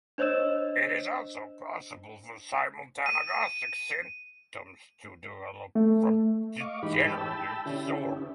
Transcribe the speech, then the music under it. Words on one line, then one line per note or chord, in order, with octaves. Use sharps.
It is also possible for simultanagnosic symptoms to develop from degenerative disorders.
D4 C5 C#5 D#5 E6 E7
D#7
A3
D#5 F5 C#6 D6
G#2 E3 D#4 G4 B5
G5 A5 B5 E6
D3 C#4 E4 G4